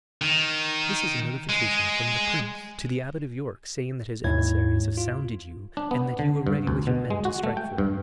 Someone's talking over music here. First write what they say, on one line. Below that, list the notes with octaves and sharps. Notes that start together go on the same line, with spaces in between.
"This is a notification from the Prince to the Abbot of York saying that his emissaries have sounded you and that you are ready with your men to strike for him."
D#3
G#3
D#2 G#2 E4 C#5 G#6
F4
D4
B3
D3
G2
D2
B2
G#3
F#4
A3
G5
G2